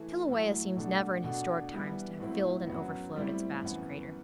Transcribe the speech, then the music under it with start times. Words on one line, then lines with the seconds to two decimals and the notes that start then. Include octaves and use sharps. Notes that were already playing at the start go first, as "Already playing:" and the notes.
Kilauea seems never, in historic times, to have filled and overflowed its vast crater.
Already playing: E3 A3 E4
0.28 A2 F#3 A3 E4
0.77 B2 A3 D4 F#4
1.24 B2 A3 D4 F#4
1.72 E3 G3 B3 E4
2.20 A2 F#3 C4 E4
2.67 F#2 F#3 B3
3.15 A2 G3 C4 E4
3.62 F#2 E3 B3